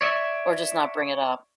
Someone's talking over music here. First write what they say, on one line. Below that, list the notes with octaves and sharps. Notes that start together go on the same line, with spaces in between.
Or, just not bring it up.
C#5 D5 E5